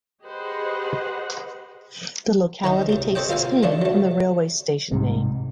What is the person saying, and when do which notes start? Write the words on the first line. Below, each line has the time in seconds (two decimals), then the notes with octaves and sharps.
The locality takes its name from the railway station name.
0.24 G4 G#4 B4 C5 D#5 F#5
2.64 D#3 C#4 D#4
2.89 C2 C3
3.15 C4 A4 C#5 D#5 G5
3.29 A#3 F4 A#4 F5 G#5
3.63 D#3 F3 A3 D4 C#5
3.82 F#3 A3
4.91 G#2 C3 G3